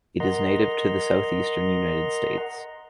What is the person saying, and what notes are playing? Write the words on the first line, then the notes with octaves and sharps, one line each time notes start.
It is native to the Southeastern United States.
A#4 D#5 F#5 A#5 C6